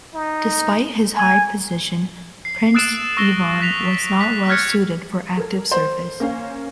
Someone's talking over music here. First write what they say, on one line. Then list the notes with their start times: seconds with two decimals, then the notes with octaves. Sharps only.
Despite his high position, Prince Ivan was not well suited for active service.
0.14 D#4
1.15 G#5
2.45 C7
2.74 D#6 E6 F#6 A6 D7 E7
3.17 C#6 E6 A#6 E7 G7
3.60 F#6 B6 F7
4.20 F#6 B6
4.49 F6 F#6 G#6 A6 B6 C#7
5.37 A4 A#4 G#6
5.72 C5
6.20 A#3 C#4 F5